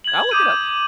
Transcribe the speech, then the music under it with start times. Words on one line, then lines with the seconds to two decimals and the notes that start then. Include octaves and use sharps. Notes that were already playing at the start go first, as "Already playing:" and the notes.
I'll look it up.
0.04 G#6 F#7
0.31 D6 D#6 G6 D#7